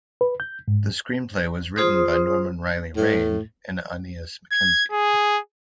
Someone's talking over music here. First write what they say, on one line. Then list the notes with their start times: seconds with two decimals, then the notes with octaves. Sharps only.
The screenplay was written by Norman Reilly Raine and Aeneas MacKenzie.
0.21 B4
0.40 G6
0.68 G#2
1.76 F4 G#4 C5 C6 D#6
2.97 A2
4.51 G#6
4.91 G#4